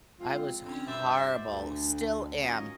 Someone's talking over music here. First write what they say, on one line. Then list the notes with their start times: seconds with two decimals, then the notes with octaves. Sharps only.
I was horrible still am.
0.20 F3 G#3 C4 F4
0.63 D3 C4 C#4
0.86 G2 F#4 C5 D5 E5
1.47 D2
2.41 D#3 F#3 C#4 F4 C#5 D#5